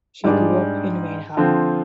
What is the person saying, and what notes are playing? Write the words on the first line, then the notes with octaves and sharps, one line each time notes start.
She grew up in Manhattan.
G#2 G3 D4 G#4
D3 F3 C4 F4